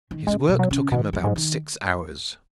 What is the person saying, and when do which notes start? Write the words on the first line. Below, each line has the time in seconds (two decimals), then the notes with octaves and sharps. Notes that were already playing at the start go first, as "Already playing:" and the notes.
His work took him about six hours.
0.11 D#3
0.27 C#3 G#3
0.49 B2
0.59 F#3
0.71 C#3
0.92 B2 D#3
1.13 F#3
1.24 G#2
1.36 D#3